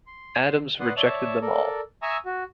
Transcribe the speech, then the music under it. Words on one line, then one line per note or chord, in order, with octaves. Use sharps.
Adams rejected them all.
C6
B4 D5 F#5 C6 D#6
C#5 D5 E5 A5
A4 A#4 D5
E5 G#5 A#5 C#6 D#6 E6
F#4